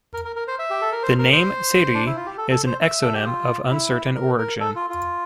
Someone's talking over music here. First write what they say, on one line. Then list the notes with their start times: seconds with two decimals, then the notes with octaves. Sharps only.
The name Seri is an exonym of uncertain origin.
0.14 A#4
0.25 A#4
0.36 A#4
0.48 C5
0.59 E5
0.70 G4
0.82 A4
0.92 A#4
1.03 C5
1.19 A#4
1.32 C5
1.94 D4
2.06 E4
2.16 F4
2.26 G4
2.38 A4
2.51 A4
2.66 C5
2.82 E5
3.02 A4
3.14 G4
3.26 F4
3.71 E4
4.16 A#4
4.38 A#4
4.60 A4
4.76 F4
4.90 F4